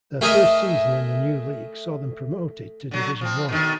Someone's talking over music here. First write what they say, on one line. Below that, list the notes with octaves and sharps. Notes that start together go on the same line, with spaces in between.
Their first season in the new league saw them promoted to Division One.
A3 G#4 A#4 D#5 E5
D3 F#3
F3 C4
B2 D3 D#3